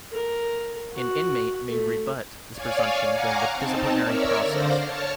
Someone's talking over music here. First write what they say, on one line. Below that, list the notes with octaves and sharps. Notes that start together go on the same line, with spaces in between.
An inmate may rebut this presumption during the disciplinary process.
A#4
F#4
A3
C#5 D5 F5 G#5
F5 F#5 G#5 A#5 C#6 D6
C4 D#4 A5
A#4 C#5 D5 E5 E6 F6
D3 C5 D5 F5 A#6
C#5 A5 F6 C#7